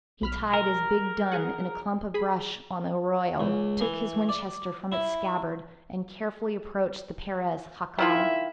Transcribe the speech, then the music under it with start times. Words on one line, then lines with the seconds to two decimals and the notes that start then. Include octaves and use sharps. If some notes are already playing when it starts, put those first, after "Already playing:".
He tied his big dun in a clump of brush on the arroyo, took his Winchester from its scabbard, and carefully approached the Perez /jacal/.
0.22 B1 B5 F6
0.54 A#4
1.32 G#4 F#5
2.14 G#4 B5
3.40 C#2
3.81 E3
4.29 D5
4.92 E4
7.98 D#3 E4 F4 E5